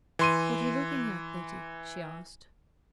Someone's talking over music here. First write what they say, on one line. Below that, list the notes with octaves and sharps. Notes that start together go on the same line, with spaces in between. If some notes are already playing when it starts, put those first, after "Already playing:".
"What are you looking at, Betty?" she asked.
E3 C6 D#7